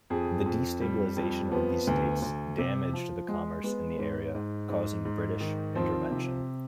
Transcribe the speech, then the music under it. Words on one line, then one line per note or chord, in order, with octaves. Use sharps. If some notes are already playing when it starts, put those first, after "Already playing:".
The destabilisation of these states damaged the commerce in the area, causing British intervention.
F2 G#4
F2
G3
F2
F3 B3
D2
D2
C3
F3
G#3
G#3 B3
G#2
G#2
G#2
G#2
D#3
F3 C4
C3